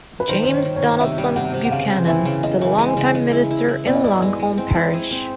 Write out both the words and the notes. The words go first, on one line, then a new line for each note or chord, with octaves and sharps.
James Donaldson Buchanan, the longtime minister in Langholm Parish.
B4
D#3 C5
D#3 C5
C#5
D#3
C#5
D#3
C3 E5
G3
C3 F#5
C3
F#5
C#3 F5
C4
E3 E5
C#3
C#3 D#5
E3
G#3
C#3
G#3
E4
E4
E4
B3 D5
D#5
E4 D5
G#3
G#3
C4
E4
G#4
C4